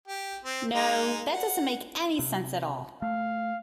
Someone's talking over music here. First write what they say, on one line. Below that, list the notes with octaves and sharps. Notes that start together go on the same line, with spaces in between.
No, that doesn't make any sense at all.
G4
C4
G#3 D#4
F#5
C3
A3 F5